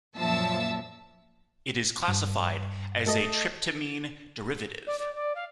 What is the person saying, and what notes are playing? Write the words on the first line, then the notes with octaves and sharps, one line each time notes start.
It is classified as a tryptamine derivative.
F#2 A#2 F3 E5 A5 E6
G2
A3 A4 D#5
D5
D5
D5
F5